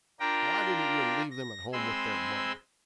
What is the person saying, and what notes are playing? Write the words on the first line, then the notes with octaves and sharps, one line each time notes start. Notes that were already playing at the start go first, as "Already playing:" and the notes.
Why didn't you leave them at home with their mother?
D4 F4 A#4 G5 A#5
A#6
G#3 C4 G#5 B5 C6 E6